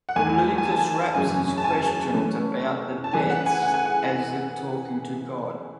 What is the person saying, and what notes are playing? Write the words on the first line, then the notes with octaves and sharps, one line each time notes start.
Lucas raps his questions about the deaths as if talking to God.
F#5
E2 D#3 A3 G#5
G#5
A5
F#2 C#3 E3 G#3 C#4 G#5
A5
G#5
C#3 E3 A3 C#4
A5
C#3 E3 G#3 G#5
F#5
G#5
F#5
G#5
F#5